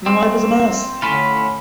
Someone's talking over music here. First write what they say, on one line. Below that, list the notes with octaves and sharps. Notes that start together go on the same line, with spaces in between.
My life is a mess.
C4
A2 D3 C#4 F4 B5